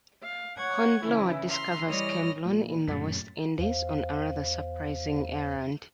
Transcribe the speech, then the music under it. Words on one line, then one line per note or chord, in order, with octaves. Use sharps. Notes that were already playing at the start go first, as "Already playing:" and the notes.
Hornblower discovers Cambronne in the West Indies on a rather surprising errand.
F5
C#5 F#5 C#6 G#6
C#3 E3 E4
E5 A#5 C6 F6
E3 G3 C#5 D#5 F6 A#6
A#2 F3
A1 F#2 A#2 C#3 A6 B6
E2 C5 F5